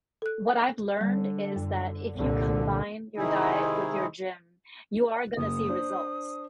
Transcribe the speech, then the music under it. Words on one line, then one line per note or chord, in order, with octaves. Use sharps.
what I've learned is that if you combine your diet with your gym, you are gonna see results.
A4 F#6
D3 G3
F#2
C2 A#2 D3
C3 D#3 G#3 D#4 E4 G#4
F#1 D#6
D4 C5